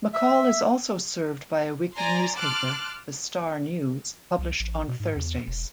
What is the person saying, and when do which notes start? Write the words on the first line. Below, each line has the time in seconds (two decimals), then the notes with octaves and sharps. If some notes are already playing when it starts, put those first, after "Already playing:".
McCall is also served by a weekly newspaper "The Star News", published on Thursdays.
0.13 E5
1.95 D5 G#5 A#5 C6
2.35 A5 C6 D6 F6 F#6
4.38 C2
4.60 A1
4.87 B2
5.00 G#2
5.16 E2
5.47 E1